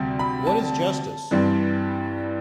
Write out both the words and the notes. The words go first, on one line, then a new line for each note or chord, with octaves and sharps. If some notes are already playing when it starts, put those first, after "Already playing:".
What is justice?
Already playing: D2 C3 G3 C4
B5
A5
G2 E3 G3 C4